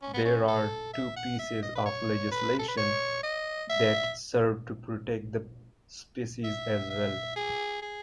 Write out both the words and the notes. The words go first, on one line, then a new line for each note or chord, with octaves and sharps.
There are two pieces of legislation that serve to protect the species as well.
C#4
B3
C#4
A4
E5
F#5
E5
D#5
B4
C#5
B4
A4
B4
C#5
D#5
E5
E5
E5
G#4
G#4